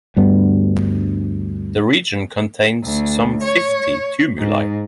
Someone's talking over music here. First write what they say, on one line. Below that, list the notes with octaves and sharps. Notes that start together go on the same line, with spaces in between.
The region contains some fifty tumuli.
D2 G2 G3 B3
D2
C#5
G#2